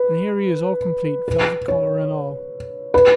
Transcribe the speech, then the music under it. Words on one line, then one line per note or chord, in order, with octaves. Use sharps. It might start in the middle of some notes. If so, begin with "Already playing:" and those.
And here he is all complete, velvet collar and all.
Already playing: B4
B4
C#5
B4